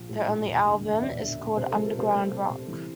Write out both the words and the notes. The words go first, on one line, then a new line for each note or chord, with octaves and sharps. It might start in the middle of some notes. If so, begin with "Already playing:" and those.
Their only album is called "Underground-Rock".
Already playing: A#1 F3
A2
A#1
E1
D2
E1
E5
E1 D5
D2
D3
C3 C5
F3 A4
A#4
C3
C5
A3
C3
C3
E3